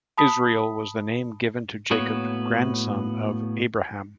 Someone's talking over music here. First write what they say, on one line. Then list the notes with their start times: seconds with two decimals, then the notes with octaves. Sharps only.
Israel was the name given to Jacob, grandson of Abraham.
0.18 A5 B5 D#6 B6
1.91 A2 A#3 B3 F#4 C#5